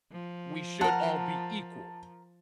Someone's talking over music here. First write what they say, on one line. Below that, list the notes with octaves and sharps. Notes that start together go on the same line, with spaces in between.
we should all be equal,
F3
A#4 F#5 A5